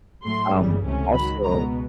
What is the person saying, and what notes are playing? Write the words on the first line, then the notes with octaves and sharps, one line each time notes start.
um, also
A2 F#3 A3 C6
G1 F#2 C#3 E3 G3
C#2 C3 E3 A3 C#4
G#2 D#3 F#3 B5
C#2 B2 G#3 B3 A#5